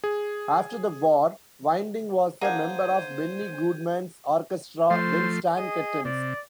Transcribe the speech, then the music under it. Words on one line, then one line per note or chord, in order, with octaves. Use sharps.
After the war, Winding was a member of Benny Goodman's orchestra, then Stan Kenton's.
G#4
A#3 D4 G#4 C5 F#5 G6 G#6 D#7
F3 A3 C5 C6
G#4 D#5
C3 D5